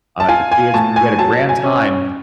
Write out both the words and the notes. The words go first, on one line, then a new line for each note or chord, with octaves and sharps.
I'm at the theaters, we had a grand time.
A5
F4 G#5
G#5
A2 A5
G#5
F#3 A5
G#5
C#4